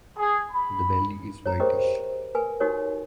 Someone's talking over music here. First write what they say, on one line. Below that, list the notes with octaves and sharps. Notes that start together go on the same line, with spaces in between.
The belly is whitish.
G#4
B5
C#5 A#5
G4 G#4 A#4 C5 D#5 G5
A#4 B4 G#5
D#4 F#4 G4 A#4 C#5